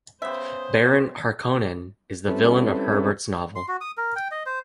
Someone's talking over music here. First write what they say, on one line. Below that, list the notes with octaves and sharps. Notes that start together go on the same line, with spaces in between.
Baron Harkonnen is the villain of Herbert's novel.
C#3 B3 G4 C5 E5
G3 C4 C#4 E4 A4 B4
C6
F#4
D#6
A#4
G5
D#5
C5